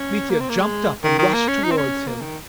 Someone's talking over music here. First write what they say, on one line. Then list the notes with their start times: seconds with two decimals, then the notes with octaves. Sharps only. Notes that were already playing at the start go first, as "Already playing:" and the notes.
Mitya jumped up and rushed towards him.
Already playing: C#4
0.30 A#3
0.40 C4
0.49 A#3
0.60 G#3
1.04 D#3
1.18 D#3
1.34 A#3
1.48 C#4
1.63 D#4
1.71 C4
1.78 C#4
2.07 A#3
2.22 D#3